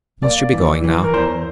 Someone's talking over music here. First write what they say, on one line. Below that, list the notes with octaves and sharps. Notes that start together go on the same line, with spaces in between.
Must you be going now?
A#3 D5
E3
E3
A#4
E2 C5